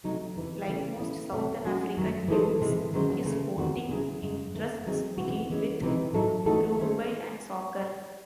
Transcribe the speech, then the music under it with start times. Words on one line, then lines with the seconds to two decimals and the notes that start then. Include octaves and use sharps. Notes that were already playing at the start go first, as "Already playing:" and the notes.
Like most Southern African youths, his sporting interests began with rugby and soccer.
0.04 C3 F#3 A3 D#4
0.36 E2 C3 E3
0.68 C#3 E3 A3 C#4
1.00 E3 A3 C#4 E4
1.32 C3 E3 A3 C4
1.65 F#3 C#4 F#4
1.97 F#2 D#3 F#3
2.28 E3 G#3 D#4 A4 C5
2.61 C3 E3 G#3
2.93 D#3 F#3 C#4 G#4 C5
3.25 C#3 E3 A3
3.57 E2 D#3 A3 C4 F#4
3.89 C#3 F#3 C#4 E4 G#4
4.22 F#2 C#3 G#3
4.54 F#2 D#3 A3
4.86 D#3 F#3 C4 D#4 G#4
5.18 C3 E3 C4 F#4
5.50 E3 G#3 C#4
5.81 C3 E3 C4 D#4
6.13 A2 F#3 A3 D#4 A4
6.46 E3 A3 D#4 F#4 A4
6.78 D#3 A3 C#4 G#4 C5